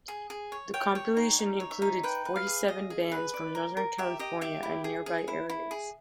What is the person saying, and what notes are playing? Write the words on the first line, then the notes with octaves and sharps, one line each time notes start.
The compilation included forty-seven bands from Northern California and nearby areas.
G#4
G#4
C#5
C#5 G5
C#5
D#4
D#4
C#5
E5
D#4
B4 G5
B4
F5
G#4
D#5
G#4
B4
D5
A#4
A#4
G4 E5
G4 D#5
G4 E5
E4
G#4
G#4
E4
E4
G#4